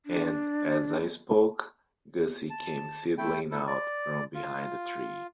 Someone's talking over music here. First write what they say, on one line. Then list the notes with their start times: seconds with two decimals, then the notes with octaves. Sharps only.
And, as I spoke, Gussie came sidling out from behind a tree.
0.06 D4
2.50 A5
3.18 A3 E4 G5
3.51 E4 A4
3.67 D5
4.35 F4